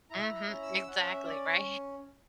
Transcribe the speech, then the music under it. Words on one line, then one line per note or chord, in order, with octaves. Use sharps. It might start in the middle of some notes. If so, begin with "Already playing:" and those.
Mhm, exactly, right?
E4 A#5
A#5
C#4
E6
C#4 F#5
E5
C#4 D5
C#5